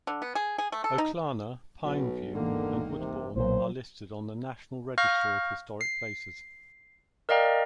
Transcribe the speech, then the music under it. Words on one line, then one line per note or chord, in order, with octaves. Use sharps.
Oaklana, Pineview, and Woodbourne are listed on the National Register of Historic Places.
D3
B3
G#4
G#4
A3
A4
D#4
B1 B2
G#1 E2 D3 D#3 A#3
C3
B1 A#2 F#3 C5
F5 C#6 F6 G6 A#6
C7
A#4 D5 D#5 F5 G5 A#5